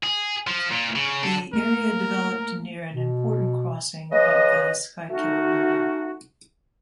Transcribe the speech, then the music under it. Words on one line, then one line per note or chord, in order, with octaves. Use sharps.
The area developed near an important crossing of the Schuylkill River.
G#4
F3
A#2
C#3
D4 A4
A3 A#3 A#4
B2
C#3 F3 B4 D#5
A3 C#4 D#4 F#4